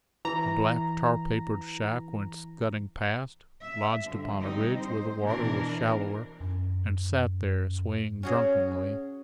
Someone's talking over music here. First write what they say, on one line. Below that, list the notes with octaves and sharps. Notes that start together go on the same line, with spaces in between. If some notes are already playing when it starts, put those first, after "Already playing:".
A black, tar-papered shack went scudding past, lodged upon a ridge where the water was shallower, and sat there swaying drunkenly.
E3 A#5
E5
G2 D3 F3
G3 C4 D#4
C5
B2 E3 D4 A#4
F#2
C#4 F#4 G#4